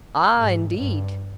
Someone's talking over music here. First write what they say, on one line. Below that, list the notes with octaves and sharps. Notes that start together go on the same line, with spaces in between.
"Ah! indeed!"
G#2
G2